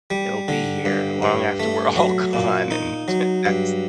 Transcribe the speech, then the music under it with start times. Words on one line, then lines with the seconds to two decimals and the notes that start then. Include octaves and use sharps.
It'll be here long after we're all gone, and t that's
0.10 G3
0.48 D3
0.85 G2
1.22 G2
1.60 A3
1.96 F#3
2.33 A#2
2.71 D#4
3.08 F#3
3.45 G2